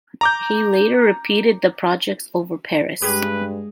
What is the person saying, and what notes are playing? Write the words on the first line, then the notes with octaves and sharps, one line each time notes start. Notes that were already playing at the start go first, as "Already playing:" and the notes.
He later repeated the project over Paris.
A#5 D6 G6
G2 G#3 G4 G#4 B4